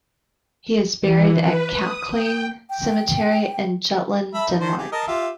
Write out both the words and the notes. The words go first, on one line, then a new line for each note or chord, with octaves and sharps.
He is buried at Klakring Cemetery in Jutland, Denmark.
E3
B4
D#6
G5
G5
A4 E5 B5
D#4
D#3 D4 C5
G4 G#4
A#4 D#5 A5
F4 G4 E5